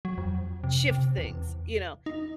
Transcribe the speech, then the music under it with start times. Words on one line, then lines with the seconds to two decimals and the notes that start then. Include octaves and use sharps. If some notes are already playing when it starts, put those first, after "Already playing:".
shift things, you know,
0.05 F#3
0.18 F2
0.64 C3
0.91 C3
1.18 E2
2.06 D#4